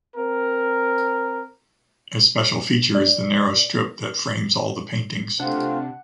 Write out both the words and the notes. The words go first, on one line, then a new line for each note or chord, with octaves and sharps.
A special feature is the narrow strip that frames all the paintings.
C4 A#4
D5
C3 A3 C4 D4 F4 F#5